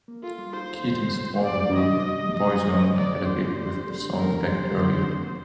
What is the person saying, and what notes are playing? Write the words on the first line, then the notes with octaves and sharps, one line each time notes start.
Keating's former group, Boyzone, had a hit with the song a decade earlier.
A#3
F4 A4
G3
D#4 C5
A4
G3
A2
A2
A2
F2 D5
F2
D#3 D#5
C3
G3
G4
G3 D#5
G3
A3
C5
C5 D5
A4
D4 C5
A3
D5
G4
A4
D4
A4 A#4
A3
G4 C5
D3
D3
C4
D#3
A#3